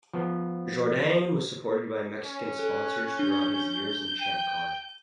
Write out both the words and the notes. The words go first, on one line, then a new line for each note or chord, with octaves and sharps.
Jourdain was supported by Mexican sponsors throughout his years in Champ Car.
F3 B3
C#4
A4 F#6
D4 G6
G5 D#7